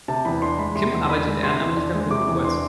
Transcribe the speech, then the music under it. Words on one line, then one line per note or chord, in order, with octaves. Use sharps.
Kim arbeitet ehrenamtlich beim Roten Kreuz.
C3 A5
E2 B5
D4 C6
G#3 B5
C3 C6
E2
D4 B5
G#3
C3 C6
E2
D4
G#3
C3 D6
E2
D4 C6